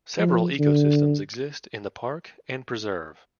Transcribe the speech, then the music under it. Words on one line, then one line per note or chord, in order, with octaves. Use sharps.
Several ecosystems exist in the park and preserve.
F3
D3